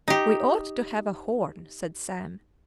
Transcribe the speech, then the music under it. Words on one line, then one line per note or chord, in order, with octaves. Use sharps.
"We ought to have a horn," said Sam.
D#4 G4